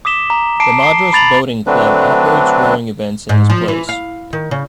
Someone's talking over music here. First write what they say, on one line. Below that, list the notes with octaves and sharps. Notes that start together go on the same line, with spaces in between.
The Madras Boating Club operates rowing events in this place.
D6 D#6 B6 E7 G7
A#5
A5 D6 C7 D7
C7 G7
B5 A6 F7 F#7
D3 F#3 A3 C4 D4 B4
G#2
F3
E3
F5
D#3
C#3